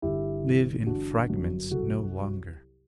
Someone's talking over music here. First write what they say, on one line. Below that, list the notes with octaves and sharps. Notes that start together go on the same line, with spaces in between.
Live in fragments no longer.
G1 E4 G4
E3
G1 D4 F#4
F#2
C2 F#4 A4